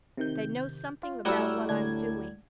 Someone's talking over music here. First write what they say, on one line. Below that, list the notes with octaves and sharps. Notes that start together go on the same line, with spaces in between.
They know something about what I'm doing.
C3 D#3 G6
F4
A2 F#3 G3 F#4 E6 F6 G#6
D2 D4 G#6